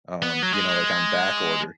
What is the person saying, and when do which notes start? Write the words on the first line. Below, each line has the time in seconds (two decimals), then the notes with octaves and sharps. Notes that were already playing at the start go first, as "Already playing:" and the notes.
um, you know, like, on back order.
0.22 B3
0.43 F#3
0.53 G#3